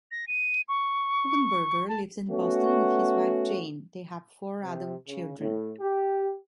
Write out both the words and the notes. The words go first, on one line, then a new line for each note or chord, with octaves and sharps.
Hugenberger lives in Boston with his wife Jane; they have four adult children.
A#6
D#7
C#6
A5
A3 B3 C#4 F#4
C3
C#3
A2
G4